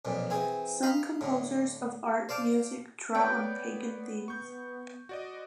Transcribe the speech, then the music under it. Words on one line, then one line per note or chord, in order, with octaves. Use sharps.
Some composers of art music draw on Pagan themes.
B1 F2 A#2
E3 C4 G#4
D#5 F5 A#5 B5
A2 D3
C5 D5 F5 A5 D6
B3 B4 C#5 D5 G5
C#6 G6
F#4 D5 D#5